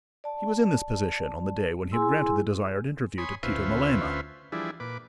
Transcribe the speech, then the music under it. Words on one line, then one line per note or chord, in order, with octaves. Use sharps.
He was in this position on the day when he had granted the desired interview to Tito Melema.
D5 A5
E4 G#4 G#5 C6 E6
C#5 G#5 B5 C6 D#6
D2 C#4 F4 B4 C5 E5
E3 F3 G3 D4 E4 G#4
A#2 B4 D6